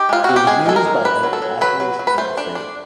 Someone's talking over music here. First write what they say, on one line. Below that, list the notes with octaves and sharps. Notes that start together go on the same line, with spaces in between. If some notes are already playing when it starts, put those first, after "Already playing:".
It was used by both passengers and freight.
Already playing: D#4 G4
G#3 F4
C4 F#4
G4
G#3 G#4
G#3 A4
A#4
G#3
D4 B4
F#3
A4
F#3
F#3 B4
F#3
F#3
B4
A3 C5
D4
D4